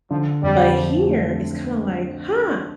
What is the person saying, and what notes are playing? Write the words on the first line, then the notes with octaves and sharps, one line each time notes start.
but here it's kinda, like, "Huh,
D3 F3
F2 G3
F3
A3